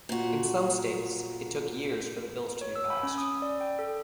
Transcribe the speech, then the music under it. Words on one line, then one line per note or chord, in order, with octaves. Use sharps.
In some states, it took years for the bills to be passed.
A#2 F#4
C#5
E6
B5
C#4
D#6
D5
G5
A4